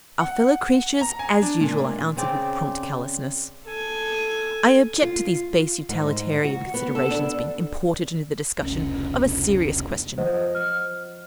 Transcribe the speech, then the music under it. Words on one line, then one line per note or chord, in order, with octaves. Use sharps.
'Our fellow-creatures, as usual,' I answered, with prompt callousness. 'I object to these base utilitarian considerations being imported into the discussion of a serious question.
F#5
A#5
G#5
D4
A#2
C#3 C4 D5
A4 G#5
F4
G#2
F#4
B3
A4
D4
F1 C#2 C#4
F3 C5 D#5 F#5
F6